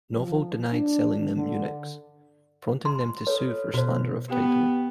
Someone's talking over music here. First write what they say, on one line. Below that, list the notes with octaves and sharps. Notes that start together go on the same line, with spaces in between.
Novell denied selling them Unix, prompting them to sue for slander of title.
F3
D4
D3
C6
A4 B4 C#5
B2 F#4 C5
B3 G4 G5